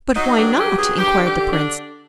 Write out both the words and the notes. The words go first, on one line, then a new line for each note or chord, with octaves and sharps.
"But why not?" inquired the prince.
F#3 D#4
G2 D4
F#3 G4
G2 G#4
G2 G4
D3
G4
D3
D4